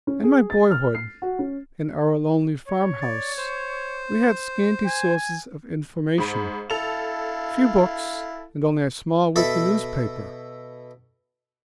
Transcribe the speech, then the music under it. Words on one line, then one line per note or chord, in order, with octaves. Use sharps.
In my boyhood, in our lonely farm-house, we had scanty sources of information; few books and only a small weekly newspaper.
C#4
G#4
A6
F6
C7
F#4
C#4
C#5
D5
C5
G#5
G#2 B5
E4 A4 F5 F7
B2 A4 E5 B5